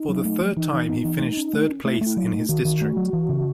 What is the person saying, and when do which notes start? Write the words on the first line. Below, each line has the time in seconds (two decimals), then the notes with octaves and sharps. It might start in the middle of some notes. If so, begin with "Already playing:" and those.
For the third time he finished third place in his district.
Already playing: D#4
0.09 F#3
0.25 A3
0.41 F#3
0.57 E3 D#4
0.73 E3
0.89 B3
1.05 E3
1.21 A3
1.37 C#4
1.53 A3
1.69 C#4
1.85 A3 E4
2.01 A3
2.06 E4
2.17 F#3
2.27 D#4
2.33 A3
2.49 D#3 F#4
2.65 D#3
2.81 A3
2.97 F#3
3.13 E3
3.29 C#3